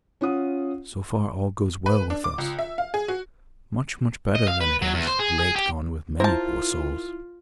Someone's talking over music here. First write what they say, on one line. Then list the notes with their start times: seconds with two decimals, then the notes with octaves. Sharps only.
So far all goes well with us--much, much better than it has of late gone with many poor souls.
0.21 C#4 F4 F#5 D#6
1.86 B4
2.10 D4
2.24 D6
2.38 C#2
2.59 E5
2.78 F5
2.94 G#4
3.08 F#4
4.35 D#5
4.48 F5
4.61 B4
4.82 F#3
4.94 E2
5.07 C5
5.19 G#4
5.39 G#4
5.56 G4
6.20 E4 F4 A#4 C5 A5